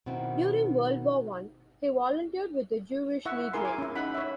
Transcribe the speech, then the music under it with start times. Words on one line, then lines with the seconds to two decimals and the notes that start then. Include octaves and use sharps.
During World War One, he volunteered with the Jewish Legion.
0.06 B2 D#3 C4 E4
3.25 E4 E5 F#5 C#6
3.53 E4 G#4 A#4 G#5 C6
3.65 G#5 D6
3.78 C#4 E4
3.95 D#4 F#5 B5
4.15 C#5 E5